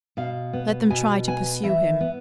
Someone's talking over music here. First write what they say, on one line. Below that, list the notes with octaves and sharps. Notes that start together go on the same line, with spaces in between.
Let them try to pursue him!
B2 F5
B3
B2 G#5
B3 G#5
E3 E5
B3